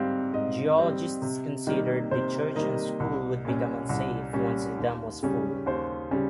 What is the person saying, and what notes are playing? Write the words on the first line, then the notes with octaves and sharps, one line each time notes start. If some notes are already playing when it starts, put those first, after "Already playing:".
Geologists considered the church and school would become unsafe once the dam was full.
Already playing: G#2 G3 C4 F5
G#2 D#5
G3 C4
C3
D#3 G3 A#3
C3 C5
D#3 G3 A#3 D#5
C2
A#2 G3 C#4
C2
A#2 G3 C#4
D#2
C#3 G3 C#4
D#2 C5
C#3 G3 C#4